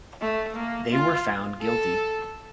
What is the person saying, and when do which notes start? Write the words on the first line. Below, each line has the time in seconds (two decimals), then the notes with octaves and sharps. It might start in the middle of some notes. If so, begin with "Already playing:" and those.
They were found guilty.
0.21 A3
0.56 A#3
0.92 F4
1.61 A4